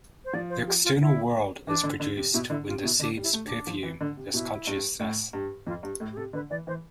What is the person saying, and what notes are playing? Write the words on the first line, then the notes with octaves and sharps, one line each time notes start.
The external world is produced when the seeds "perfume" this consciousness.
C5
F3 D5
C5
G4
F4
E4
E3 D4
D3
D3
C3
B2 E4
D3 E4
C3 F4
B2 E4
D3 D4
G3
E4
A3
D4
F3
E3
D3
C3
B2 E4
G2
A2
G2
F2 F4
G2
A2 A4
G4
C3 A4
D3 B4
E3 D5
E3 C5